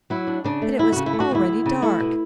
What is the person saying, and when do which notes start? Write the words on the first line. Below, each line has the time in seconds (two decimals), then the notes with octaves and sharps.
But it was already dark.
0.10 F#3 E4
0.27 D4
0.44 C#3 D4
0.62 A3
0.79 D2 E4
0.92 C#3 F#4
1.06 E4
1.13 A3
1.20 F#4
1.31 D2 E4
1.48 D2
1.66 C#3
1.82 A3 E4
2.00 B2